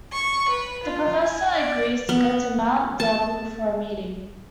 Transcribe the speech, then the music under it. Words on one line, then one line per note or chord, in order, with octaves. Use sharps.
The professor agrees to go to Mount Devil for a meeting.
C#6
B4
F4
G#5
D5
B3
A5